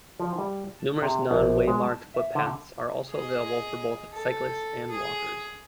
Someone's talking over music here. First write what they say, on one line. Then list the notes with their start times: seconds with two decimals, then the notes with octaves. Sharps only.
Numerous non-waymarked footpaths are also available for both cyclists and walkers.
0.20 F3
0.38 G3
0.80 A5
1.02 C3
1.31 A#1
1.68 G#3
1.83 A5
2.14 E5
2.35 D3
3.11 G#4 D#5
4.13 A4
4.91 G#4